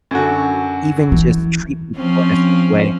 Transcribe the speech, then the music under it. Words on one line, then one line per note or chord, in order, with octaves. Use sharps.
even just treat people in a certain way.
F#2 D3 F#4
E3
F3 C4 C#4